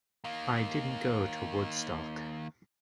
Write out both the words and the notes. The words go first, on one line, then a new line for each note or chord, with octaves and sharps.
I didn't go to Woodstock.
D#3 A#3